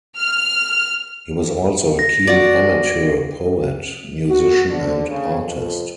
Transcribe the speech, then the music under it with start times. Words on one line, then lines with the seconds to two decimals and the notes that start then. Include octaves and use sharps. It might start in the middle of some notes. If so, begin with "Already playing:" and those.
He was also a keen amateur poet, musician and artist.
0.17 F6
1.99 A#6
2.27 F#4 D5
4.29 F#4
4.68 D3
5.08 C#3
5.46 F2